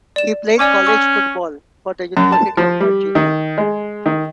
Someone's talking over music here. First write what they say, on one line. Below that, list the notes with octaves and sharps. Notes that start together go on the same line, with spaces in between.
He played college football for the University of Virginia.
D5 E7
C#4 D5 G#5 D6
G#5 C#6 E6
F#2
A5
F3
G3
D#3
G#3
D#3